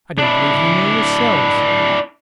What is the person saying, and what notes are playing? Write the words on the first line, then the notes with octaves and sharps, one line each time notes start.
I don't believe you know yourselves.
D4 E4